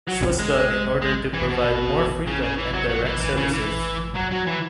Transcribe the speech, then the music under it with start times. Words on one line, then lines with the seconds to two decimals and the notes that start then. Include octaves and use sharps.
This was done in order to provide more frequent and direct services.
0.08 F#3
0.39 G#3
1.02 G#3
1.33 E3
1.49 B2
2.27 C#3
2.42 C#3
2.59 E3
2.74 F#3
2.89 F#3
3.05 E3
3.21 E3
3.37 C#3
3.53 E3
4.15 F#3
4.31 F#3
4.47 E3